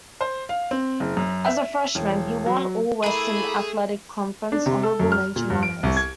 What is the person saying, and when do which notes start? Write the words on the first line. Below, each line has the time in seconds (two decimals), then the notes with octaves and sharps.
As a freshman, he won All-Western Athletic Conference honorable mention honors.
0.21 C5
0.49 F5
0.71 C4
1.00 F#1
1.17 F#2
1.46 E5
1.95 E1
2.46 F#3
3.04 A3 A#3 E4 G#4 B5
4.52 D4
4.66 C3
4.83 A4
5.00 F#2
5.12 F6
5.36 A#2
5.50 G2
5.63 D7
5.83 C2
5.97 G#6